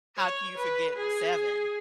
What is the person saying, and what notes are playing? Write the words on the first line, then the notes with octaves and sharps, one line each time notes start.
how can you forget Seven?
C#5
B4
G#4